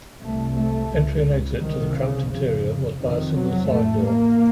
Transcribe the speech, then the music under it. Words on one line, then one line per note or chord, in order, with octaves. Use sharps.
Entry and exit to the cramped interior was by a single side door.
C2 C3 A3
A3
C#2 C#3
C2 C3 D#3
C#3
F1 F2 C#3
F1 F2 C3 D#3
F#3
A1 A2 A3
A#3